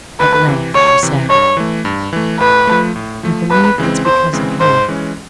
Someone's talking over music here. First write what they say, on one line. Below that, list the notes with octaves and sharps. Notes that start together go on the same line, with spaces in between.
At length she said: "I believe it's because of you."
D2 B4
C3 E3
D2 C#5
C3 E3
G2 C#5
E3 A3
G2
E3 A3
A2 B4
F3 A3
A2
F3 A3
E2 B4
C#3 E3 G#3 C4
E2 C5
C#3 E3 G#3 C4
G#2 C5
E3 G#3 C#4